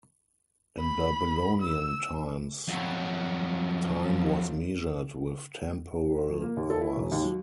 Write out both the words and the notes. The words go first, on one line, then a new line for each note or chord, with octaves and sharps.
In Babylonian times, time was measured with temporal hours.
B5
E6
F2 F#3
F2
A#3
D#2
A4
E4
E1
D#2
F#3